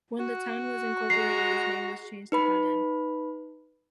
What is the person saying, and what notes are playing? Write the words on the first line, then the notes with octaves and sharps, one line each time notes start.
When the town was incorporated its name was changed to Paden.
F#4
G#3 A#5 C7
D#4 B4 B5